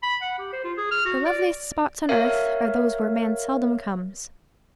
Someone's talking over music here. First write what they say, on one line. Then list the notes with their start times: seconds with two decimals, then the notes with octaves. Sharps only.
The loveliest spots on earth are those where man seldom comes.
0.03 B5
0.22 F#5
0.39 G4
0.53 C5
0.64 F4
0.77 G#4
0.91 F6
1.05 F#4
1.25 D5
1.38 D5
2.09 A#4 C#5 E5 F5